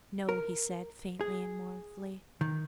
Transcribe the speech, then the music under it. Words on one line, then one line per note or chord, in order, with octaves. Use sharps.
"No," he said, faintly and mournfully.
A#4
G#4
D#3